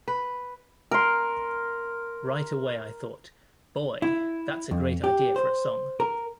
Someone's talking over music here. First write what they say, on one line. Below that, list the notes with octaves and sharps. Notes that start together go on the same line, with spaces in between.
Right away I thought, 'Boy, that's a great idea for a song'.
B4
A#4 C6
E4
F2
G4
C5
A#4